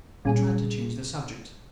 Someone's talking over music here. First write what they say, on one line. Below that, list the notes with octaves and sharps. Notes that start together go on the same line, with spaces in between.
He tried to change the subject.
A#2 G3 C#4 G#4